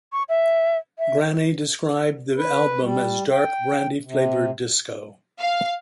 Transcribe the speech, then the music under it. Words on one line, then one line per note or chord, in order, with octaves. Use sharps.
Graney described the album as "dark, brandy flavoured, disco".
C#6
E5
E5
B4
G3
G5
C3
F5